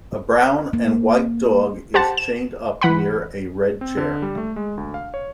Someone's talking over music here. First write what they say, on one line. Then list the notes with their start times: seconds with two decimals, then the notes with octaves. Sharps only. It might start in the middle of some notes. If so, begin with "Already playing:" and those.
A brown and white dog is chained up near a red chair.
0.73 A#3
1.94 G4 C5 F#5 A5
2.17 E7
2.81 E3 F#5 B5
3.81 C4
3.97 D3
4.22 G3
4.37 A3
4.56 G#3
4.78 D2
4.94 F5
5.14 C#5